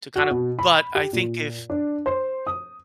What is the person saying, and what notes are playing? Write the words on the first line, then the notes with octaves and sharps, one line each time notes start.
to kinda but I think if
F#4
B2
B5
G4
A#2
D4
C5
D#6